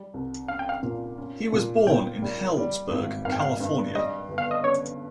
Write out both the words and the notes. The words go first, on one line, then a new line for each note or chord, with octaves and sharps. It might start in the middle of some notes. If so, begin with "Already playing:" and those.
He was born in Healdsburg, California.
Already playing: G3
C2
C#4 F5
G5
F5
A#2
C#4
A#2
A#2 G5
G3
G3
G#1
G#1 F5
G5
F5
G2
G3 D#5
G1
F5
D#5
C#4 C#5